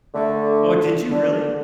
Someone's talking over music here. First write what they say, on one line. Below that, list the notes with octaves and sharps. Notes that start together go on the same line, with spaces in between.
Oh, did you really?
D3 A3
D3